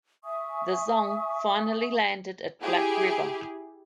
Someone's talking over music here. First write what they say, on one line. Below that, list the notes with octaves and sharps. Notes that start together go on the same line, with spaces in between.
The "Zong" finally landed at Black River.
E5 G#5 C#6 D#6
E4 G4 G#4